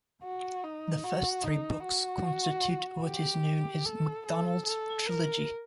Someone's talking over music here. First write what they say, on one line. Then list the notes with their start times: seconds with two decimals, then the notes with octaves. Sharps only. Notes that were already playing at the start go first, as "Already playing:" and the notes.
The first three books constitute what is known as MacDonald's trilogy.
0.23 F#4
0.63 D#4
1.04 F#4
1.43 D#4
1.84 F#4
3.05 G4
3.86 A4
4.26 A4
4.67 A4
5.07 A#4